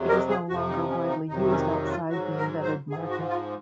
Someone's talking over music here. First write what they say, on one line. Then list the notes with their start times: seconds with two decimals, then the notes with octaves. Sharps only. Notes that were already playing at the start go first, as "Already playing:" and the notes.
It is no longer widely used outside the embedded market.
Already playing: F2 C3 F#3
0.09 A#4
0.29 G#4
0.49 F2 C3 F3 F#4
0.69 D#4
0.89 C#4
1.09 D#4
1.29 F2 C3 D#3 F#3 D#4
1.49 C#4
1.69 D#4
1.84 F#4
1.90 F4
2.09 G#2 F#3 F#4
2.37 A#4
2.62 C5
2.90 G#2 F3 G#4
3.10 F#4
3.29 F4